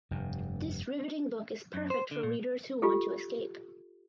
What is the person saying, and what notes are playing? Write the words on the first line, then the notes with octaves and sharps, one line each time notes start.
This riveting book is perfect for readers who want to escape.
F1 G2
F#2
C5
D3
A#2
F4 G4 A4